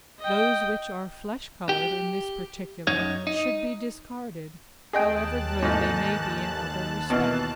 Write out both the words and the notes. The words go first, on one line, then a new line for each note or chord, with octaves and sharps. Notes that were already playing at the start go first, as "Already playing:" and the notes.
Those which are flesh-coloured in this particular should be discarded, however good they may be in other respects.
D#5 G5
G4
F#2 D#4 C#5
D#4
D#2 G#4 D#5 G5 A5 F#6
A1 G#2
B2 E3 F6